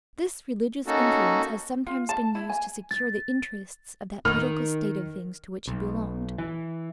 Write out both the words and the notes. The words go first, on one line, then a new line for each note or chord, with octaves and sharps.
This religious influence has sometimes been used to secure the interests of that political state of things to which he belonged.
A#3 C#4 D#4 F#4 A4
F4
A5
E4
G#5
A6
D#3 F6
B1
E3